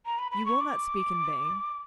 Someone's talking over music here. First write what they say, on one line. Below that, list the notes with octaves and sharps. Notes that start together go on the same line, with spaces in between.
You will not speak in vain.
A#5
B5
B5
C#6
D6